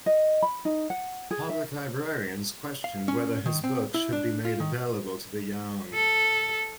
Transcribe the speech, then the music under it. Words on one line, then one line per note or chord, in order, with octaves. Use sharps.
Public librarians questioned whether his books should be made available to the young.
D#5
B5
D#4
F#5
G#4
E5
F5
C#4
D#3
C4
E4
D4
F4
D#3
A4